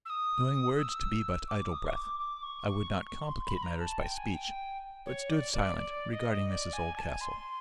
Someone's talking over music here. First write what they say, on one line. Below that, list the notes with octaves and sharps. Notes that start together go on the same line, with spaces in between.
Knowing words to be but idle breath, I would not complicate matters by speech, but stood silent, regarding Mrs Oldcastle.
E6
D#6
E6
D6
D#6
C#6
D6
D6
C#6
C#6
C#6
C#6
C6
B5
A#5
A5
G5
G#5
G5
C#5
D5
D5
D5
D#5
D5
G#5
A5
G#5
C6